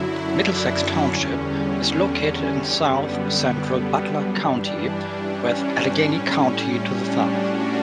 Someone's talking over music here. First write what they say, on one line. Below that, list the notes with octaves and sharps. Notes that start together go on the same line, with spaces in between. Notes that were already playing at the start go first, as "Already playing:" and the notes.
Middlesex Township is located in south-central Butler County, with Allegheny County to the south.
Already playing: F#2 D3 F#3 E4
D4
C#4
E2 D3 G3 C#4
F#2 D3 G3 B3
G2 E3 G3 D4
C#4
D4
A2 G3 C#4
D4
F#4